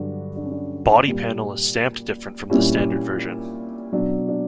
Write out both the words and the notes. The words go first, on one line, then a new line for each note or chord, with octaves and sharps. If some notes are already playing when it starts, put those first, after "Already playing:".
Body panel is stamped different from the standard version.
Already playing: G2 D3 F#3 D4 F#4
D4
C#4
D4
A#2 G3
A#2 G3 C#4 E4
B2 F#3 D4
D4